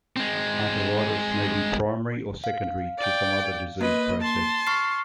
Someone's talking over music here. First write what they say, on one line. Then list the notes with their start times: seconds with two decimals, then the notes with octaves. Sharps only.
Arteritis may be primary or secondary to some other disease process.
0.16 G#3 C4
2.44 F5
2.98 D5 G5
3.81 A#3 B4 D#5
4.21 A5 C6
4.67 C#6 F6 C7